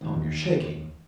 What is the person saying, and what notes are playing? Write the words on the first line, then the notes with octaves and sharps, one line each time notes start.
"Come, you're shaking."
D#2